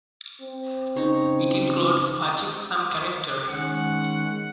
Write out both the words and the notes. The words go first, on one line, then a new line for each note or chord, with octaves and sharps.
It includes a checksum character.
C4
C#3 D#4 C#5
D#3 G#3 C#4 F#5